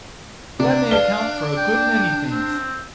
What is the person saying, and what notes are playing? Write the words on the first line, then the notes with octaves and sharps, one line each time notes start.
That may account for a good many things.
C3 D4 D5
B4 D5 F5 A5 G7
G5
C4